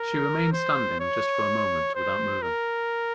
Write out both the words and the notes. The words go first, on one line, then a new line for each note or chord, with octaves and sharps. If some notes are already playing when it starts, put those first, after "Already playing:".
She remained standing just for a moment without moving.
Already playing: A#4
C5
C#5
C5
A#4